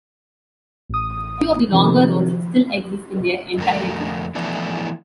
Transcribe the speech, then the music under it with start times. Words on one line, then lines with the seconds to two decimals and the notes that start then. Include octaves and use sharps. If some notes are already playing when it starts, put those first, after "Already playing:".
Few of the longer roads still exist in their entirety.
0.89 A1 D#6
1.72 C3 D#3 F3
3.58 F2 D3 A3 A#4
4.35 E3 F3 A3 B3 D4 E4